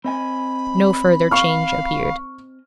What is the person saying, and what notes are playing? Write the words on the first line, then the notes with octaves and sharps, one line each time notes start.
No further change appeared.
C4 D#5 G#5 B5
F5 C#6 F6